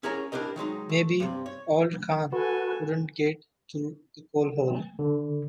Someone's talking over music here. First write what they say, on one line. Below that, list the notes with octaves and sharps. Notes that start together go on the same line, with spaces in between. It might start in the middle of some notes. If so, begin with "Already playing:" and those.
Maybe auld Khan wouldn't get through the coal-hole.
C#4 E4 G#4 A#4 C#5 A#5
D4 E4 G4 A#4 D#5
D#3 F#3 G#3 D#4
A3
G2 C3
C#5
F#4 A4 B4 G#5
D3